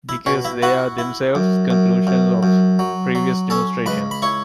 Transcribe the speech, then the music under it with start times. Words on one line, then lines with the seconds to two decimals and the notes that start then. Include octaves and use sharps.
Because they are themselves conclusions of previous demonstrations.
0.09 E4 E5
0.26 B2 C#4 C#5
0.45 E4 E5
0.62 E4 F#4 F#5
0.98 E4
1.35 F#2
1.70 F#2
2.07 F#2
2.43 F#2
2.79 F#3
3.15 F#3
3.50 C#4 A4 A5
3.86 C#2 B4 B5
4.11 B5
4.22 E4 C#5 C#6